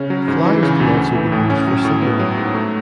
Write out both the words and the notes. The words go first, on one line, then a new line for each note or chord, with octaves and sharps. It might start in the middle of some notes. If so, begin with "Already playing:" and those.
Flags can also be used for signaling.
Already playing: C#3 C#4
F#3
G#2
E3
C#3
D2
A3
E3
A2
C#4
F#3
A2
B3
F#3
G#2
A3